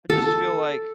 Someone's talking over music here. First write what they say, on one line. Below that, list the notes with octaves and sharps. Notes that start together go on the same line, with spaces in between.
I just feel like,
A4